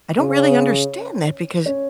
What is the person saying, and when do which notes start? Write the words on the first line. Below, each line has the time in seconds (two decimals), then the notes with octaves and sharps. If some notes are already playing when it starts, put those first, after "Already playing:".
I don't really understand that because
0.19 C#3 C#4
1.66 C#4